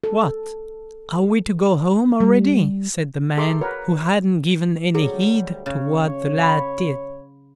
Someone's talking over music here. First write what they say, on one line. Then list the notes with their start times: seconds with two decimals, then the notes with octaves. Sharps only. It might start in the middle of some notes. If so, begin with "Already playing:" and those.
'What! are we to go home already?' said the man, who hadn't given any heed to what the lad did.
0.04 A4
2.20 G3
3.37 G#4 A4 E5 A#5 C6 D6
3.61 F#4 A#4 B4 C#5
4.95 D2 F#3 G3 G#4
5.66 C#3 C#5
6.39 F5 B5